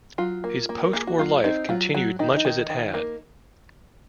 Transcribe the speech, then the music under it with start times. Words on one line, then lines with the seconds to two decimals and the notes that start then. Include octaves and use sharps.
His post-war life continued much as it had.
0.18 F#3 F4
0.44 A#3
0.69 A#3
0.84 A#4
0.93 A#3 G#4
1.07 F#4
1.18 F#3 F4
1.44 C4 D#4
1.69 F#3 F4
1.94 F#3 F#4
2.19 D#3 D#4
2.36 D#4
2.45 D#3
2.70 D#3
2.94 A#3